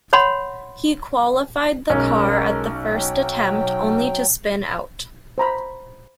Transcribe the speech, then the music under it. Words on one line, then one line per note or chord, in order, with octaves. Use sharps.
He qualified the car at the first attempt, only to spin out.
C#5 F#5 B5 C6
B1 G#3 C#4 A#4
F#3 G5
C5 A#5 B5